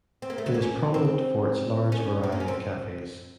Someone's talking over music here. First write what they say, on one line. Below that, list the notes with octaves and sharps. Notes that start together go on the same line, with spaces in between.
It is prominent for its large variety of cafes.
C4
A#3
A3
F#3
A#3
C#4
C4
C#4
C4
A#3
C#4
C4